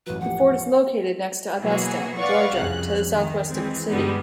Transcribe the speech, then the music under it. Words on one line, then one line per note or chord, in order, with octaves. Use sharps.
The fort is located next to Augusta, Georgia to the southwest of the city.
A1 F#3 B4
A1 F2 G4 F#5
B2 E3 F#3 A#3 F#4 G#4
B4 D5 F5 F#5 C#6
C2 F2 C#3 F#6
D#3
E3 G#3 C4
G2 D3 G3 G#3 B3 D#4